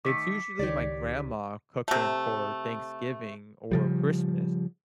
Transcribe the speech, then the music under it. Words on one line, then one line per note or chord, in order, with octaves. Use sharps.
It's usually my grandma cooking for Thanksgiving or Christmas.
D#3 A3 D6 B6 C#7
C#2 D#3 G4 C#5 D5
C3 A3
C#3 F3 G3